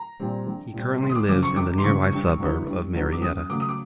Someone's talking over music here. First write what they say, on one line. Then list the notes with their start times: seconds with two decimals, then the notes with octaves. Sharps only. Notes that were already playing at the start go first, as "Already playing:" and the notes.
He currently lives in the nearby suburb of Marietta.
Already playing: A#5
0.20 A#2 G3 C4
0.47 A#1
0.74 A#2 G3 C4
1.02 G#1 C6
1.10 D#6
1.15 D6
1.29 F#2 C#3 F3 D6
1.43 C#6
1.56 G#1 D6
1.78 C6
1.84 F#2 C#3 F3 C#6
2.12 G2
2.40 D3 F#3 B3 E4
2.67 G2
2.94 D3 F#3 B3 E4
3.12 D6
3.22 F#2 D#6
3.50 C#3 F#3 A3 D6
3.60 D#6
3.69 D6